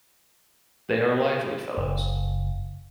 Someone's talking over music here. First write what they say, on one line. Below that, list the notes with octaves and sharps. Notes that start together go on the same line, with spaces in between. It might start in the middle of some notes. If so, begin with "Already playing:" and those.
They are lively fellows.
F#1